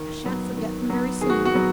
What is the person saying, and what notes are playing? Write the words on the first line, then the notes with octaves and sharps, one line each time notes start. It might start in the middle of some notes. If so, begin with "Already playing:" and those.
I shan't forget them very soon.
Already playing: D#3
F#3 B3
D#3
F#3 B3
D#3 G#4
F#4
F#4
F#3 B3